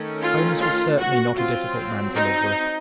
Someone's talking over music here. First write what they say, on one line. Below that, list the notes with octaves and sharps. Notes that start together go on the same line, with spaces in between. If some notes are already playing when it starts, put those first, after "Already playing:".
Holmes was certainly not a difficult man to live with.
Already playing: D#3 A3 C#4
F4
F4
F#4
F#3 C4 F4
D#4